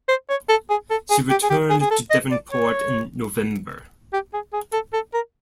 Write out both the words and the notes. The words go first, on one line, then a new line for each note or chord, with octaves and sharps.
She returned to Devonport in November.
C5
C#5
A4
G#4
A4
G#4
G4
G#4
G4
G#4
G#4
A4
D#5
D5
C#5
G4
G#4
G#4
A4
A4
A#4